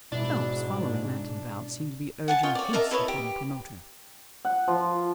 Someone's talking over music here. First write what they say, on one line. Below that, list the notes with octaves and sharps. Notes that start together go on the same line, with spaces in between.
Phelps, following Manton about, seemed to be urging haste upon the promoter.
G#2 B2 D4 E4
F#5 G#5 A5
F4 C#5 D#5 G5
C#5 D5
A#4 D#5 E5 A5
E4 B4 C#5 D#5
G4
F#5
F3